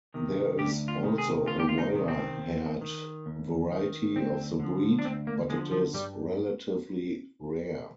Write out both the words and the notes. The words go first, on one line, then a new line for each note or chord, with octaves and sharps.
There is also a wire-haired variety of the breed, but it is relatively rare.
C3 D#3
D2 G4
F4
C3 D#3
G#4
D2 F4
G4
F4
D#4
C3 D#3
C4
D#2
D#3
D#2
D#3
D2 C4
D3 F3
D4
D2 C4
A#3
D3 F3 G#3
F3
G2 G3